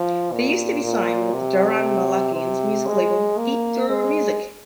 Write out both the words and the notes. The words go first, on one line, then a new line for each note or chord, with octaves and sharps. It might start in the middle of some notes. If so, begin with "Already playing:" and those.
They used to be signed with Daron Malakian's music label EatUrMusic.
Already playing: F3
A#2
A#2
C3
C3
G#3
A#3
G#3